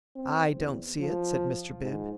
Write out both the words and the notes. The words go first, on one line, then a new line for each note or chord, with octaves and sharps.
"I don't see it," said Mr. Bib.
C4
E2
F3
G#2